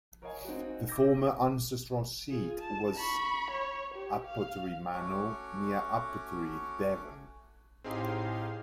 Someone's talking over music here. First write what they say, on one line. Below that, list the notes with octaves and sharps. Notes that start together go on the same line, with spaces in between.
The former ancestral seat was Upottery Manor, near Upottery, Devon.
A#4 C#5 D#5 F5 G#5
C4 D#4 F#4
D6 E6 G6 A#6
F4 G#4
A5
B5 C#6
C#5
G4
F5
A3 C#4 F#4 C#5 D6
A2 C4 D#4 G4 G#4 F5 C6